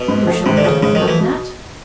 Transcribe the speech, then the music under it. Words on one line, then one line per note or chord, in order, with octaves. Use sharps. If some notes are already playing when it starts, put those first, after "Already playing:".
"You surely don't mean that?"
Already playing: B2
G#2
F3 A3
G#2 C3
D3
C#3 F3 A3
G#2 C#3
D#3
F3 A3
E3
B2